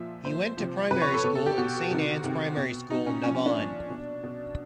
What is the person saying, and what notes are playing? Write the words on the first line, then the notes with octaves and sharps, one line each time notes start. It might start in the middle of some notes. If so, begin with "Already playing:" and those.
He went to Primary School in St.Annes Primary School, Navan.
Already playing: A#2 F3 E5
A#2 F3 C5
C3 F3
C3 F3 B4
C#5
A4
B2 A4
A4
G4
B2 F#4
C3 D#3
C3 D#3
B2
B2 D#4
C#4
A#2 C#4
F3
C#4
D4
A#2 F3
B2
B2